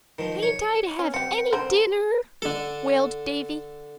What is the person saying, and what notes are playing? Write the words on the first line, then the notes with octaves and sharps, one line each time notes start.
"Ain't I to have any dinner?" wailed Davy.
D#3 F3
C#5
C#4
C4 G4 F#5
D3 C4 A#4 C5
D3 A4